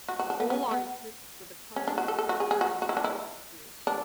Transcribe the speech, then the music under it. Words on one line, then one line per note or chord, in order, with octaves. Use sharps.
All are equipped with a proximity fuse and contact fuse.
F#4
F#4
D4
B3
B3
B3
C#4
D4
F#4
A4
A4
F#4
G#4
G#4
F#4
F#4
E4
D4
E4
D4